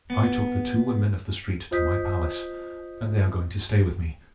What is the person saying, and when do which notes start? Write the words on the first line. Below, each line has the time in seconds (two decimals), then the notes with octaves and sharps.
I took the two women of the street to my palace, and they are going to stay with me.
0.10 B3
1.71 F4 C5 D#5 D#6 G6 B6